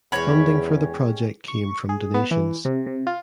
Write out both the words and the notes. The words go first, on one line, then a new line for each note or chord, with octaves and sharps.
Funding for the project came from donations.
E2 G#3 C#4 G4 C#5 B5
C#6
G#4
B3
E3
C3
C3
F4